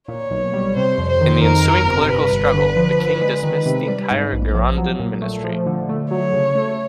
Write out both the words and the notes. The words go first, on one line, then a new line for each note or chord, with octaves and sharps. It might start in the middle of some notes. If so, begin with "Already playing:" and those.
In the ensuing political struggle, the king dismissed the entire Girondin ministry.
A#2 C#5
B1
G3
C3 C5
F2
C5
D#3
F2 A#4
G1
C3
G2 B4
G1
D3
F3
D3
G#3
D#3 B4
C3
G3
G#2
A#1
F3
F#3
A#2
A3
F3
D3
A3
F#3 C#5
C#3
A3